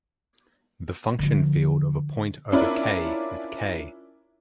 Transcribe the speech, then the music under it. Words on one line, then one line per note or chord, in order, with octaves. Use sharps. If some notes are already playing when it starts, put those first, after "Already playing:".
The function field of a point over "K" is "K".
D3 F3
C#4 D4 E4 F4 A#4 D5